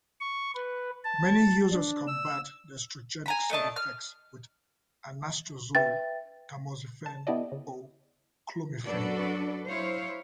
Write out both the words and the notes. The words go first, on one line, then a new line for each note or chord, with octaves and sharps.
Many users combat the estrogenic side effects with anastrozole, tamoxifen or clomifene.
C#6
B4
A5
D4
E6
G#5 A#5 B5
A3 D4 D#5 A5
F6
B4 E5 G5 A6
A5
B3 E4 G4 A4 D5 D#5
C#3
F#2 D4 F#4 A4 B4 D5
F#3 E4 C5 C#5 F5